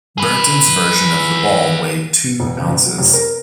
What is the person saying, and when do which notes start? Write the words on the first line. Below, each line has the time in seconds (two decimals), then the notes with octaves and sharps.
Burton's version of the ball weighed two ounces.
0.18 G#4 B4
2.40 E1
2.57 F#1
2.70 E1
2.85 F#3
2.98 F1
3.13 A#4